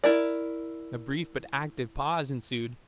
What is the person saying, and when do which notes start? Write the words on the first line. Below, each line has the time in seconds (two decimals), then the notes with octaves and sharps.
A brief but active pause ensued.
0.04 E4 A#4 D5